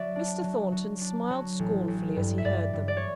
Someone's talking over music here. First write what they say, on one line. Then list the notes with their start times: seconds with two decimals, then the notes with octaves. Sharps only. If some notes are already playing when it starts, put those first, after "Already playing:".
Mr. Thornton smiled scornfully as he heard them.
Already playing: F#3 D5 E5
0.15 D4
0.43 F#3
0.72 F#3
1.01 D4
1.30 F#3
1.59 A1
1.88 A1
2.16 G2
2.38 E5
2.44 G2 D5
2.73 G2
2.88 D5
2.97 C#5